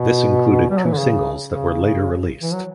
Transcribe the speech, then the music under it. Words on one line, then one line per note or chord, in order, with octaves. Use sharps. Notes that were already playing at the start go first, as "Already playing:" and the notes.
This included two singles that were later released.
Already playing: B2
G3
F#3
E3
D3
C#3
C#3
E3
F#3